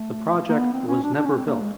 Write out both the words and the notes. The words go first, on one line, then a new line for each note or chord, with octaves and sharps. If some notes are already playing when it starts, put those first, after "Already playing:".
The project was never built.
Already playing: A3
A#3
B3
C4
C#4
D4
D4
C#4
C4
A#3
G#3